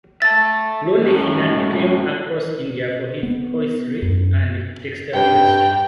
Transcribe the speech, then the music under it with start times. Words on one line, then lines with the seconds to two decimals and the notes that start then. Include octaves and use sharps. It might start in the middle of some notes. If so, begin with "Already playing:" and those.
Ludhiana became across India for its hosiery and textile industry.
0.22 E5 A5 A6
1.03 F#2 A2
3.23 B3
4.02 F#2
5.14 G2 G5